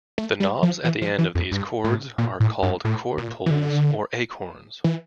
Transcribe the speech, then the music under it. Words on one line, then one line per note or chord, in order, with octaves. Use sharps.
The knobs at the end of these cords are called cord pulls or "acorns".
A3
G3
F3
E3
F3
E3
F2
G2
A2
A#2
A2
G2
A2
A#2
E3
D3
E3